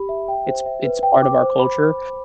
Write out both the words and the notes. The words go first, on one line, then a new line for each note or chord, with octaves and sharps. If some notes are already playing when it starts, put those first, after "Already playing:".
It's it's part of our culture.
Already playing: G4 B5
E5
G5
C5
E5
B4
G5
D6
C5
B5